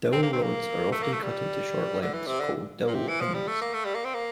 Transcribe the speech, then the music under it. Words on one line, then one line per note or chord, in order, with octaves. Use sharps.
Dowel rods are often cut into short lengths called "dowel pins".
C4
A#3
C4
A#3
A3
A#3
A3
G3
D3
E3
C3
D3
A#2
C3
E3
F3
G3
A3
A#3
A3
G3
A#3
C4
A#3